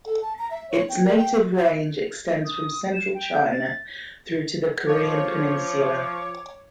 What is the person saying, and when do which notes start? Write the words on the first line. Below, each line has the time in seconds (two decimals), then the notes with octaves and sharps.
Its native range extends from Central China through to the Korean peninsula.
0.06 A4
0.22 A5
0.39 A#5
0.51 E5
0.70 C#5
0.89 G5
1.04 A#4
1.17 G5
2.45 D#6
2.94 E7
3.14 G5
3.34 G6
3.51 A6
4.87 F3 C#5 D6